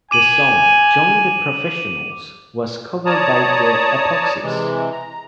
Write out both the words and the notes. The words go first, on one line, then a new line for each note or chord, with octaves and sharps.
Their song "Join the Professionals" was covered by the Epoxies.
G#5 D6 D#7 F#7
C#5 D5 A5 A#5 D#6
C3 E3 G#3
A#5